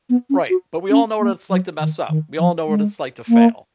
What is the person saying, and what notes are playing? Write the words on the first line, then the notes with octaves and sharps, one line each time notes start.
Right, but we all know what it's like to mess up. We all know what it's like to fail.
B3
C#4
F#4
C#4
A#3
F#3
D#3
D#3
F3
G#3
A#3